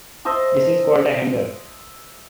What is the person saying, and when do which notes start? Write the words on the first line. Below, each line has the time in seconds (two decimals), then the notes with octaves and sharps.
This is called a hanger.
0.25 C5 D#5 E5 A5